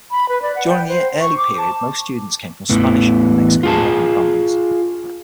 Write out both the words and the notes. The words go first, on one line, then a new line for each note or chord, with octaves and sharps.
During the early period most students came from Spanish and Mexican American families.
B5
B4
D5
F#5
G5
C5
C#6
D6
A5
E2 A2 E3
F4 G#4 A5